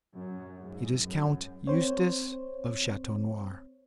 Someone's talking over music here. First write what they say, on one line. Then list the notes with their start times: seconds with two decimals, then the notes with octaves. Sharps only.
"It is Count Eustace of Chateau Noir."
0.12 F#2
0.58 G#2
1.04 F#2
1.67 C4 C5 C#5